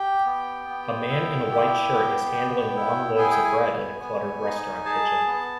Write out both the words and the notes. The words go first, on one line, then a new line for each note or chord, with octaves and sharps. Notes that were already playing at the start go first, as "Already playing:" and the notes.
A man in a white shirt is handling long loaves of bread in a cluttered restaurant kitchen.
Already playing: G4 G5
B3
B3
E4
G4
B3
B3
E4
G#4 G#5
G5
G#5
B3
B3
D#4
G#4 A5
B3